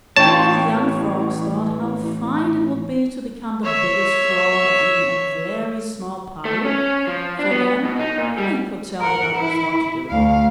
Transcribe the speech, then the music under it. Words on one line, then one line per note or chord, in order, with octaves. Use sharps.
All the young Frogs thought how fine it would be to become the Biggest Frog of even a very small puddle, for then they could tell the others what to do.
A2 E3 C#5 G5 A5
C#5 E5
A3
C#4
F3
D4
B3
B2
D#4
A#2
G3
A#4 F#5
E4
D2 F5